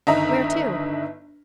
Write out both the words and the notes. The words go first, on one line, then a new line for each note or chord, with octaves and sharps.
"Where to?"
G1 D#3 D4 D#5 E5 A#5